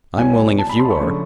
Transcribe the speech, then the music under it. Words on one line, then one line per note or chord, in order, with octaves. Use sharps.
"I'm willing if you are."
C2 B2 F#3 G#5
A5
B5
C6
C#6
C#3 F3 A3 D4